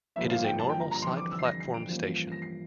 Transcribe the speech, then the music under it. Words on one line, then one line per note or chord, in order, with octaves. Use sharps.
It is a normal side platform station.
G1 G2 F3 A#3 E5
F5
G5
A5
G5
A#5
A#5
G1 F2 E3 C6
D6
E6
C7
A#6
C7
D7
A1 G2 F3 A#3
A#6
C7